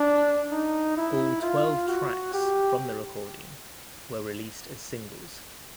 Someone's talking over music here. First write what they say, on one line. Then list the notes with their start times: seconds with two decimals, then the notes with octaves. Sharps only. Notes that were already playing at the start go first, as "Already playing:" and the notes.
All twelve tracks from the recording were released as singles.
Already playing: D4
0.52 D#4
0.97 E4
1.43 F4
1.88 F#4
2.34 G4